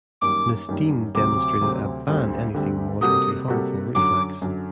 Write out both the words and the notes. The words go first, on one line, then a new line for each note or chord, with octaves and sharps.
Ms Dean demonstrated a 'ban anything moderately harmful' reflex.
F#2 D#3 G3 A#3 D6
F#2 D#3 G3 A#3
D2 C3 F#3 C4 D6
D2 C3 F#3 C4
D2 D3 G3 C4
D2 D3 G3 C4
C3 G3 A#3 F#4 A4 D#6
C3 G3 A#3 F#4 A4
F#2 D3 F#3 D6
F#2 D3 F#3